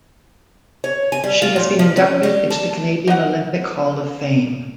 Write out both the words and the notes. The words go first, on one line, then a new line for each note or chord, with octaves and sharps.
She has been inducted into the Canadian Olympic Hall of Fame.
C#5
G#5
G3
F4
A#2
F3
C#4
G3
A5
D#4 F#5